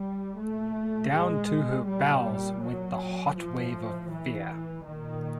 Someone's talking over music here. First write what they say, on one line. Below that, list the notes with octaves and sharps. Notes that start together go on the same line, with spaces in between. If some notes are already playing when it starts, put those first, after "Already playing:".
Down to her bowels went the hot wave of fear.
Already playing: G3
A#2 A3
G#3
A#2 G3
F#3
A2 F3
E3
A#2 D#3